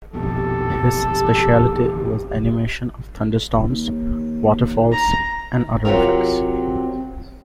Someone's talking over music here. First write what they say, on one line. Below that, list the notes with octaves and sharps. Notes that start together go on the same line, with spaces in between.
His specialty was animation of thunderstorms, waterfalls and other effects.
A#1 F2 B2 G4 A4
D#2
A#5
C3 F#3 C4 F4 A#4